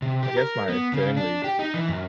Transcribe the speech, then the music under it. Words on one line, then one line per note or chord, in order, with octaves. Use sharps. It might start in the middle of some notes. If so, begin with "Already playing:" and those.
a I guess my family
C3
G4
A#4
B3
C#3
D4
G4
D#4
E3
F#2